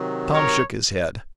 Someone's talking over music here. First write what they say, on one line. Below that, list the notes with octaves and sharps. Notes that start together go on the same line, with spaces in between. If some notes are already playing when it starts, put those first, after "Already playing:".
Tom shook his head.
Already playing: C3 D#3 F#3
A#4 C#5